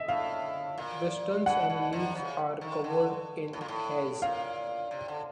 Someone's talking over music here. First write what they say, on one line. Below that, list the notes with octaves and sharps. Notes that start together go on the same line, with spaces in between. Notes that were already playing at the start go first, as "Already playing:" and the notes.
The stems and leaves are covered in hairs.
Already playing: D#5 E5
A2 F5
A#2
B2 F#5
B2
C3
C#3
D#3
D3
A2
A#2
A2
A#2 F5
C3
D3